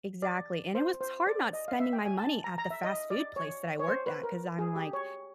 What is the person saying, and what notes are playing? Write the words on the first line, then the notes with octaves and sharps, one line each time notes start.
Exactly. And it was hard not spending my money at the fast food place that I worked, 'cause I'm like,
D5
C5
C5
D5
D#5
F5
E5
G5
G#5
A5
A#5
A#5
E5
D#5
D5
C#5
C#5
C5
B4
A#4
G#4
G4
C#5